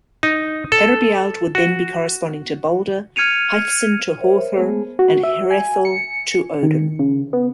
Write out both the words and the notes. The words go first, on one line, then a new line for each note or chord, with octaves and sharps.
Herebeald would then be corresponding to Balder, Hæþcyn to Höðr and Hreðel to Odin.
D#4
A4
F#4
F6 G#6 C#7 D#7 F7
A#4 C5 C#5 E5
G#3 A3 B3 G#4
F#4
E5
G#5
C#7
D#3
C#3
B3